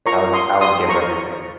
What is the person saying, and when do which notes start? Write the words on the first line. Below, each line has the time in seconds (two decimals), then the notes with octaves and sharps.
I would I would give everything.
0.06 F4 A#4 C#5 A#5 C#6
0.34 C6 D#6
0.61 C6 D#6
0.89 A#5 C#6